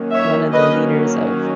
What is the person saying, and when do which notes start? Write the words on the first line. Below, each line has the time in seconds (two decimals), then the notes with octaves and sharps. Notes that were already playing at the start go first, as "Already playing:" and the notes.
one of the leaders of
Already playing: D#3 F#3 A#3 C#4
0.13 C#5 E5
0.53 B4 D#5